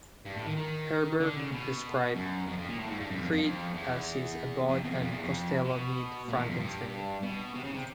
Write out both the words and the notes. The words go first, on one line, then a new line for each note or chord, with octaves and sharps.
Herbert described "Creed" as his "Abbott and Costello Meet Frankenstein".
G2
A2
D#3
D#3
D3
C#3
B2
F#2
F2
F2
A#2
A2
G#2
G2
F#2
F2
F2
F2
E2
F2
E2
F2
F2
E2
F2
B2
A#2
E2
F2
G2
B2
C3
C#3
C3